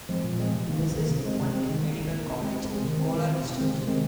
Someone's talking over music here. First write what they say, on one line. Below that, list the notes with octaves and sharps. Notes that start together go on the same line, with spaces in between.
This is the only medical college in Kolar district.
F3 G#3 C4
A#2
F3 G#3 C4
C3
D#3 A#3
C3
D#3 A#3
C3
G#3 C4
C3
G#3 C4
D#3
A#3
D#3
A#3
C3
G#3 C4
C3
G#3 C4
D#3
C4
D#3
C4
C3
D#3 G#3 C4
C3
D#3 G#3 C4